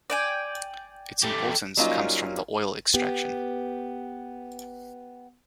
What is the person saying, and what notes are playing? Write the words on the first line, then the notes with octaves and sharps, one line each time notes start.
Its importance comes from the oil extraction.
D5 G5 G#5
A3 G4
F#3 G3 A#3 C#4 D#4 F4
B3 G4